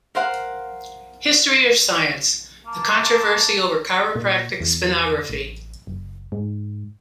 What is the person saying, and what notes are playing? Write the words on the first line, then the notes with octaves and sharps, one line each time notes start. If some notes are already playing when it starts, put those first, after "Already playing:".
History or Science: The Controversy Over Chiropractic Spinography.
A#4 C5 F5 F#5
A#3 A5
A#2
E2
A1
F#1
G#2